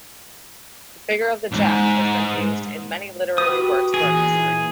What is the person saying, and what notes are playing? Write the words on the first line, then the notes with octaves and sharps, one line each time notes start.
The figure of the jack has been used in many literary works throughout history.
E2 G#2
F#4 G4 B4 D#6
A#2 E3 G#4